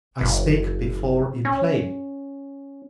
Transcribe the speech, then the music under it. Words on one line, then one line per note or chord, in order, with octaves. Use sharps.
I spake before in play.
F#1
C#4